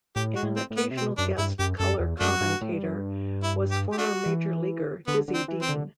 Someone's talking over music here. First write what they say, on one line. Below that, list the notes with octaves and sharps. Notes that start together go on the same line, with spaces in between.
An occasional guest color commentator was former major leaguer Dizzy Dean.
A2 G4
F#4
A2
C4
A2
B3
C3
B2 C4
F#2 D4
G2 E4
F#2 G4
F#2 A4
E2
F#2 A3 D4 F#4
G2
A2
G2
F#2
G2
E4
G4
G4
A3 D4 F#4
E3
D3 B3
D3
C4
E3
C4
D3